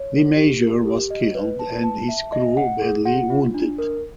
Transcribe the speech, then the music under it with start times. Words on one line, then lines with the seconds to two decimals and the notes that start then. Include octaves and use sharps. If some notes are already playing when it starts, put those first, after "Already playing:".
The major was killed and his crew badly wounded.
Already playing: C#5
0.13 A#4
0.36 G4
0.62 A#4
0.85 G4
1.10 D#5
1.35 B4
1.59 A5
1.84 A5
2.09 E5
2.32 D#5
2.57 F#5
2.82 G#4
3.05 F#5
3.30 F4
3.54 D4
3.78 A#4